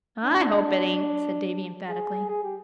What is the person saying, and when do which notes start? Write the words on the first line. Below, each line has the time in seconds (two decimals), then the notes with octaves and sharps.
"I hope it ain't," said Davy emphatically.
0.23 D4
1.88 G#4
2.29 G#4
2.43 G4